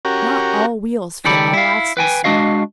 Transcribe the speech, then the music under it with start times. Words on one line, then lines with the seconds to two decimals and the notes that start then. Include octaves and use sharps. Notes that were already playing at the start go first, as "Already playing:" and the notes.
"Not all wheels fit all axles, sir."
0.05 C#4 F#4 G4 A#4
1.25 C#2 D#3 G4 A4 D5 B5
1.53 E4 F5
1.97 B4 G5 G#5
2.24 G#3 D4 F#4 D#5 F5